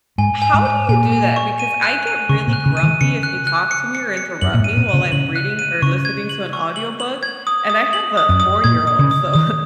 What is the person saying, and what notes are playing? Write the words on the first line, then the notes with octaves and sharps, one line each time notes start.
How do you do that? Because I get really grumpy if you talk to me or interrupt me while I'm reading or listening to an audiobook. And I have a four-year-old, so
G#2 G#5
G#5
G#2
G#5
A#2 G#5
G#5
C#6
D#7
F#6
D#7
C#3 C#6
A#2
F#6
C#3
D#7
D#3
C#3 C#7
F#6
F#6
C#7
C#7
C#7
F#2 F#7
A#2
G#2
D#7
A#2
C#3 D#7
C#3 F#7
F#6
D#7
C#3 C#6
G#6
F#7
C#6
F#7
F#7
G#6
D#6
D#6
F#7
D#6
F#2
D#6
A#2 G#6
D#6
C#3
D#6
D#3 D#6